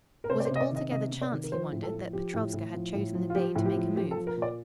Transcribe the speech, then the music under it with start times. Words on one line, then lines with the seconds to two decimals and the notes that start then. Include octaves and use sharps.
Was it altogether chance, he wondered, that Petrovska had chosen the day to make a move?
0.24 A#4
0.30 C3 C5
0.40 D5
0.45 C5
0.51 C3 D#5
0.60 D5
0.71 D#3
0.76 D#5
0.91 C3 D#5
1.11 C3
1.21 D5
1.32 D#3
1.44 A#4
1.52 F3 C5
1.72 A2
1.83 A4
1.93 F3
2.13 F3 G4
2.34 A2
2.53 A2
2.74 F3
2.94 A2
3.15 F3
3.30 F4
3.35 F3 G4
3.55 A2
3.66 G4
3.76 F3
3.96 F3 G4
4.11 A4
4.16 F3
4.27 A#4
4.37 A#2
4.42 D5